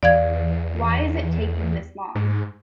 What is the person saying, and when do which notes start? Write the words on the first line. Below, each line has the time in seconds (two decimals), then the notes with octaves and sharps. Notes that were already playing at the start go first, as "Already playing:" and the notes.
Why is it taking this long?
0.03 E2 D5 F5 G#6
2.15 G#2